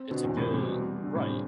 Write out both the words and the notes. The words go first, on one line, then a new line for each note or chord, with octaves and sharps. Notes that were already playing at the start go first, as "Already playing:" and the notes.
it's a good right.
Already playing: C4
B2 D3
E2
A2 C3
C3
B2 G3
D3
A2 C3